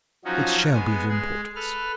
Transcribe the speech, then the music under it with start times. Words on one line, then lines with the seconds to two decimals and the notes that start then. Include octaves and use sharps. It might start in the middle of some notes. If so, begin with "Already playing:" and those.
"It shall be of importance."
0.25 F3 F#3 C#4 D#4 F#4
0.73 G#3 B3 G#5
1.09 G#3 G#4
1.55 A4 B4 F6